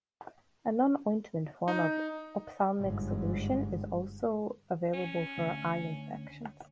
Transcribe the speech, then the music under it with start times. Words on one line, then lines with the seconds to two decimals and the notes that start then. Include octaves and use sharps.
A non-ointment form of ophthalmic solution is also available for eye infections.
1.68 D#4
2.77 G1 G#2
4.94 C#4
5.38 D2